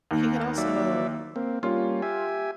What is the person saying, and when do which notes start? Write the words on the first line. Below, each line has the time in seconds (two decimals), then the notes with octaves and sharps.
he could also
0.11 D#2
0.58 F#3 D5 E5
1.36 A#3 C4
1.63 G3 A#3 C#4 F4
2.02 G4 E5 G#5